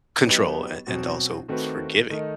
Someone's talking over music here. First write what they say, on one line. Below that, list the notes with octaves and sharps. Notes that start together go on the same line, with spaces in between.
control an and also forgiving.
F#3 B3 D#4 G4
B2 F#3 C4 F#4
D#3 A3 C4 F#4 B4
D#3 A3 D#4